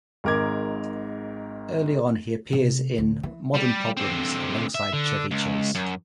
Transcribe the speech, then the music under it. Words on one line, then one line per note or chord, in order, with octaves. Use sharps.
Early on, he appeared in "Modern Problems" alongside Chevy Chase.
G#1 G#2 A#4 D6 G#6
C3
D2
E3
G3
D3 C4
E5
D3
C#2
F#2